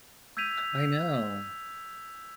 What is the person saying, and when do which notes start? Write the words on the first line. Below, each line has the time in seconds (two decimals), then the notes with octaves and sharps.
I know.
0.37 E6 G6 G#6 B6 D#7 F7